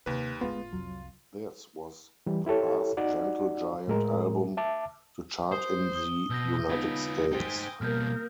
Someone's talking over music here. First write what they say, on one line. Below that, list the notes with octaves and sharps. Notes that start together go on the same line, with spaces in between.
This was the last Gentle Giant album to chart in the United States.
D#2 C3 A#3 B4
G1 A2 G#3 B3 F4
C2 F2 F#3
E3 G3
E4 G4 A4 C#5
D#4 F#4 D5 F#5
A2 G#3 A#4
E5 A5 D6
C5 D#6
D#6 G7
B2 E6 G6 A#6
B3 D#4 F4 B4
D#4 C5 G5 G#5
B2 G3 A#3 A#4 F6 G6